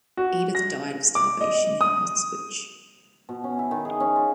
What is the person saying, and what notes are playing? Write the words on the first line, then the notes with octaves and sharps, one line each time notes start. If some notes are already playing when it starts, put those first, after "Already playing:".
Edith died of starvation in Auschwitz.
F#4
A#6
D6
D#5
D#6
B2
C#4
E4
D#3
G#4
C#4
F4